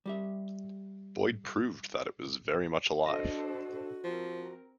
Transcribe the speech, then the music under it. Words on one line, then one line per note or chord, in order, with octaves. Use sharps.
Boyd proved that it was very much alive.
G3 G4 E5
D4 F#4 A4 C5 D#5
F3 C4 A#4